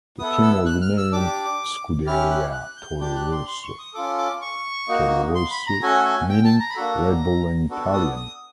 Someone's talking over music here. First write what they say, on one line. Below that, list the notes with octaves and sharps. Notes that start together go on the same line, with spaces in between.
The team was renamed "Scuderia Toro Rosso", "Toro Rosso" meaning Red Bull in Italian.
B3 E4 A4 D#6
E6
F#6
F6
E6
D4 G4 D6
C#4 E4 G4 F6
F#6
F#6
G6
D4 G4 G6
F#6
C6
C6
C#6
D#6
C#4 F4 A4 D6
D6
C#6
A#3 D#4 F#4
C6
B5
A#5
A3 C#4 F#4 A4 G#5
G#5
G5
A5
A#5
B5
A#3 D4 F#4 A4 A#5
B3 D4 F#4 A4
D#6
D#6